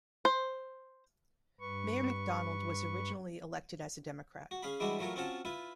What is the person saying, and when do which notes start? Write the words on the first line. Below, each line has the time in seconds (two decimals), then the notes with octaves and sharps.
Mayor Mcdonald was originally elected as a Democrat.
0.25 C5
1.60 G2 B4 C#6
4.51 F#4
4.63 C#4 G#4 F5 B5
4.80 E3 G3 G#3 D4 E4 F#4
4.99 E3 F#3 A3 F4 A#4 C#5
5.16 C4 C#4 F4 F#4 C#5 A5
5.45 E4 F4 B4